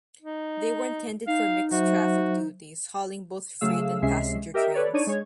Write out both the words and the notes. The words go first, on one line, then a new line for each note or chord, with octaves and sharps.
They were intended for mixed traffic duties, hauling both freight and passenger trains.
D#4
D#4 F5
F#3 F#4 C5 E5
C#3 F#3 A3 G#4 F5 E6
C#2 C3 G#3 C#4 E5 C7
G4 A#4 D#5 E5 G5
A4 B4 C#5 D5
D4 D#4 C#5 D5 D#7
G#3 C#5 G#6